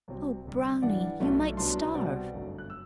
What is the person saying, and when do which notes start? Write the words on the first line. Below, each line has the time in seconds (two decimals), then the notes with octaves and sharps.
'Oh, Brownie, you might starve!'
0.08 C2 C3 F#3 C4
0.45 D2 C3 G3
0.82 G2 E3 G3 D4 D5 F#5
1.20 B1 A2 F#3 A3 D4
1.57 C2 B2 F#3 B3 D4 A5 C6
1.94 C2 B2 G3 C4 D5 F#5
2.33 G1 F#2 F#3 A3
2.58 F#6
2.70 E6